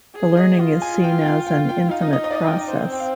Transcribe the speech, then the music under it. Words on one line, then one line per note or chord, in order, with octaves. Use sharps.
The learning is seen as an infinite process.
G#4
D#5
F4
G#5
G5
G5
F5
G5
G5
D#4 F5
D#5
D#5
D#5
D5
D#5
G5
D#5
C5
C4 C5
G5
F5